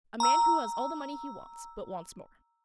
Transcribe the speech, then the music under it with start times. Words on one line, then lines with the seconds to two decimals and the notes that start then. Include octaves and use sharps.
A man who has all the money he wants but wants more.
0.20 A#5 E6